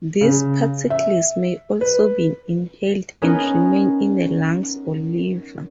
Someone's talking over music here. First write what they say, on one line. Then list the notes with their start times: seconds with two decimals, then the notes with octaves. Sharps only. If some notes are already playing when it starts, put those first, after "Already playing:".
These particles may also be inhaled and remain in the lungs or liver.
0.21 C#3
0.90 E5
1.81 B4
3.22 B3 C#4 D#4 A#4